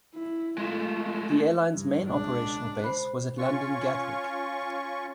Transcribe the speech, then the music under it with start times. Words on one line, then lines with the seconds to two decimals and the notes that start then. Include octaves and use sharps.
The airline's main operational base was at London Gatwick.
0.14 E4
0.58 G#3 A3 F4
1.74 G2
2.07 C#2 B2 D4
2.82 C5 B5 F#6
3.38 C#4 F4 C#6